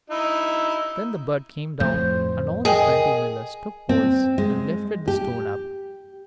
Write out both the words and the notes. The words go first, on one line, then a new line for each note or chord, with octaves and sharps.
Then the bird came down, and all the twenty millers took poles, and lifted the stone up.
D#4 E4
F2 A2 C5 G6
G#4 A#4 D#5 G5
C4
G#3
G4